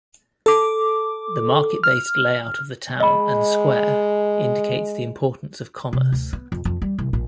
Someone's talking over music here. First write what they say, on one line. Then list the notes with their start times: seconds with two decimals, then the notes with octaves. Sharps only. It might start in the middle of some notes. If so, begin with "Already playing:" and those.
The market based layout of the town and square indicates the importance of commerce.
0.46 A4 D6
1.83 F6
3.00 G#3 D#5 B5
5.93 C3
6.12 D2
6.33 B3
6.52 F2
6.65 F2
6.82 G3
6.99 C2
7.13 A#1